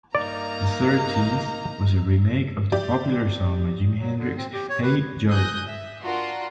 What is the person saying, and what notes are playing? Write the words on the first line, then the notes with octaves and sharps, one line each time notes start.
The thirteenth was a remake of the popular song by Jimi Hendrix, "Hey Joe".
G2 A#3 D#4 D5 A#5 F6
G4 D5
F#3
D3
C4
G4
C#5
B4
G#5 D#6 F#6 G6 A#6
E5
D4 F4 F#4 A#4 F#5 C6